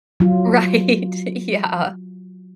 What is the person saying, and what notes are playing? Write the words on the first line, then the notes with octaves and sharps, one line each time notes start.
Right, yeah,
F#3 F4